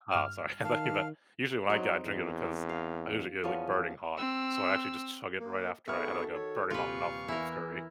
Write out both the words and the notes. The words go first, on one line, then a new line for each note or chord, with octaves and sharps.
Ah, sorry, I thought you meant usually, when I got drink it because I usually get, like, burning hot. So, I actually just chug it right after I had, like, a burning hot mouthful of curry.
G2 F6
D#3 F5 A5
F#3 C4 D#4
E2
F5
E2 F3 B3 C#4
C4 E6
A#3
D#3 B3 F#4 G#4 A4 E5 C#6 F6
C#5
D#1 C3 F4 B4 F5 C#6
E2 E3 E4 A#4